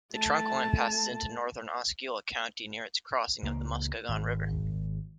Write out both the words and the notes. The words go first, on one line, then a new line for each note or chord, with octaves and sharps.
The trunkline passes into northern Osceola County near its crossing of the Muskegon River.
A3 A5
C#2 F3 A#3
G#1